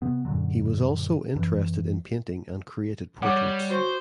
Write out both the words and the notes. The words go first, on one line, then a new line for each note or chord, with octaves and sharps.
He was also interested in painting and created portraits.
C3 B3
F#2 A#2 D3 F#3
F#2 E3
G3 C#5 F#5 D6
F#4 C5